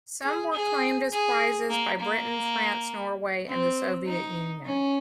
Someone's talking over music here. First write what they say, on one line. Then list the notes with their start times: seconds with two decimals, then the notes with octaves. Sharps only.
Some were claimed as prizes by Britain, France, Norway and the Soviet Union.
0.23 G#4
0.53 G#4
1.12 G#4
1.70 A#3
2.00 A#3
3.48 C4
4.07 D#4
4.65 C#4